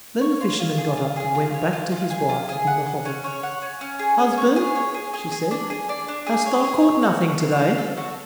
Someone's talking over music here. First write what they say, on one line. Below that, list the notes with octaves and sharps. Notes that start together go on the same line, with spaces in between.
Then the fisherman got up and went back to his wife in the hovel. "Husband," she said, "hast thou caught nothing to-day?"
C#5
F4
F4
G#4
F4
G#4
F4
C#5
F4
F4
G#4
F4
G#4
F#5
F#5
C#4
C#5
F#5
C#4
C#4
G#4
C#4
C#5
G#4
C#5
G#4
G#4
G#4
D4
G#4
D4
D4
G#4
C#5
G#4
C#5
F#4
F#4
F5
F5
A4
F#4